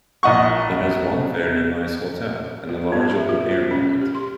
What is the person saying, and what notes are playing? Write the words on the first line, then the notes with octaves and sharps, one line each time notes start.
It has one fairly nice hotel and a large open-air market.
A#1 D#5 F#5 C#6
F4
B3
E5
F4
C5
C#4
G4
C6